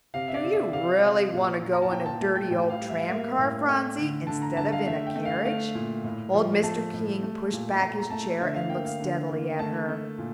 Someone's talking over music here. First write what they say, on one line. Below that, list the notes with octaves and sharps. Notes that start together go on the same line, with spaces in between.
"Do you really want to go in a dirty old tram-car, Phronsie, instead of in a carriage?" Old Mr. King pushed back his chair and looked steadily at her.
C3 F5
E5
D5
C3
E5
C3 F5
C3
A#2
A#2
A#5
A5
A#2 G5
A5
A3 A5
G5
A2 G5
F5
G3
E5
F5
A#3 E5
A2
A3 G5
D3
D3 A5
A#5
D3 A5
F5
A3 E5
G5
A3
F5
A3 F5
A#2
A2
F3
A3 A5
A2
A3
A#2
A3 A#5
A#5
A3 A5
D3 E5
F5
A#3 G5
F5
D3
A#3
A3 A5
A3
A#2